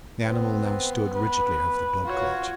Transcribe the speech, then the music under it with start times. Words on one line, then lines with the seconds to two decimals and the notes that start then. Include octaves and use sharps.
The animal now stood rigidly over the blood clot.
0.25 B3 C4
1.15 B4
2.05 F4 F#4 C#5